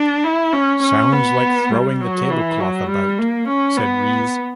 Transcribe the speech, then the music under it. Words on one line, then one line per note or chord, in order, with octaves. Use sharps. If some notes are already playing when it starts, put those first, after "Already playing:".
"Sounds like throwing the tablecloth about," said Rees.
Already playing: D4
E4
C#4
C#4
B3
G3
F#3
E3
F#3
G3
A#3
C#4
B3